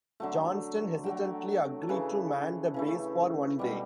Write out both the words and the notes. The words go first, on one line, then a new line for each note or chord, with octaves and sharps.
Johnston hesitantly agreed to man the base for one day.
D3 F#3 A3 A5
D3 F#3 A3 G5
A4
C#3 E3 A3 B4
C#3 E3 A3
B2 G3 D5